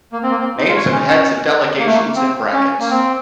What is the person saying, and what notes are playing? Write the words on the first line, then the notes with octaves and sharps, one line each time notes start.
Names of heads of delegations in brackets.
A#3
C4
A#3
C4
D#4
F4
C#5
C5
C#4
D#4
C#4
A#3
A3
A#3
C4
C#4
A#3
C4